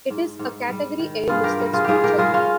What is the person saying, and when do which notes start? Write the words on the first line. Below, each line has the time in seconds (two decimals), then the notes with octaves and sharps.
It is a Category A listed structure.
0.10 G#2
0.39 G#2
0.69 G3
0.99 D#3
1.28 G2 F4 G#4
1.43 G4 A#4
1.60 G3
1.73 F4 G#4
1.84 G#2 F4 G4 G#4
2.04 G4 A#4
2.18 G3 F4 G#4
2.34 C#4 F4